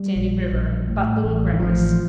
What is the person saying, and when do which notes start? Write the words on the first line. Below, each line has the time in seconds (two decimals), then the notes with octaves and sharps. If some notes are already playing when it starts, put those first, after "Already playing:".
Sandy River.--But little grass.
Already playing: G3
0.16 A#1
0.52 A#1
0.88 A2
1.24 A1
1.53 D#3
1.60 A1 F3